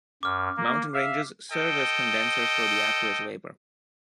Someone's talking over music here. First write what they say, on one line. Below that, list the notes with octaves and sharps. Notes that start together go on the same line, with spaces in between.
Mountain ranges serve as condensers for the aqueous vapour.
F#2 D6 F6
A#3
E5 F5
A4 D#5 G5